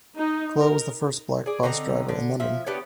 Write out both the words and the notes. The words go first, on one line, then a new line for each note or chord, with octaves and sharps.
Clough was the first Black bus driver in London.
D#4
A#4
G#4 D5
D3 C4 D#4 A#5
D3
F3 E5
B3 D4 G4 C#5